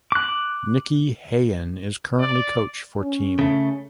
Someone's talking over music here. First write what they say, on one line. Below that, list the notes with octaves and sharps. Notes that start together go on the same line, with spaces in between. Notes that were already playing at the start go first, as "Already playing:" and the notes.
Nicky Hayen is currently coach for team.
D6 F#6
D5
C#4
C#3 A3